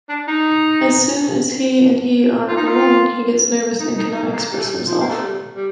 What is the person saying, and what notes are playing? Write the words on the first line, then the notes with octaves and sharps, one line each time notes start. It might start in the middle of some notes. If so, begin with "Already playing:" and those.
As soon as he and he are alone, he gets nervous and cannot express himself.
D4
D#4
F4
D#4
F4
D#4
D#4
D#4
A#3
G3
A3
G3
F3
A#3
A3
G3
G3